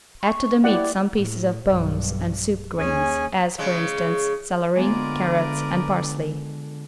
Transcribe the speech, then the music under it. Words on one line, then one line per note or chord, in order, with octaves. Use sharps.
Add to the meat some pieces of bones and "soup greens" as, for instance, celery, carrots and parsley.
C#6
E4 G4 D5 F#5
A2
B1 G2
D#2 C#4 G#4 G#5
C#3 G#3
D3 G#3 B3 F4 A#4 B4 D5